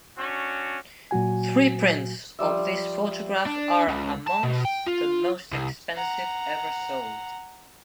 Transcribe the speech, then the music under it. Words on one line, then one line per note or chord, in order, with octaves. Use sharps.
Three prints of this photograph are amongst the most expensive ever sold.
C#4 D4 F#4
A#2 F#3 F#4 G#5
F3 G3 E5
D4
C#2
A5
B2
G5
F4
C2
F#5 A#5